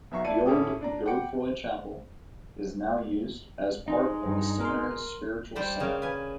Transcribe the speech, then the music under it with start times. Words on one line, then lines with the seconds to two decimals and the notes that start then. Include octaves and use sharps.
The old Godefroy Chapel is now used as part of the seminary's Spiritual Center.
0.11 B1 B2 E5 A#5 C#6 C7
0.25 E4 D5 E5 A5 C#7 D#7
0.46 A2 C#4 E4 A4 D6 D#6
0.81 D4 D5 A#5
1.06 F#5 G5 B5 D6 C#7 D7
3.88 G#3 D#4
4.26 G2
4.61 A#4 C6
5.55 G3 C5 D5 B5
5.80 C#3 A#3
6.02 B4 G#5